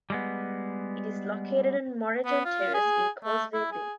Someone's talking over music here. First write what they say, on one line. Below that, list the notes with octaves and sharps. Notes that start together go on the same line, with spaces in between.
It is located on Moreton Terrace in Causeway Bay.
G3 G#3 B3
B3
F4
G#4
A3
E4
G#4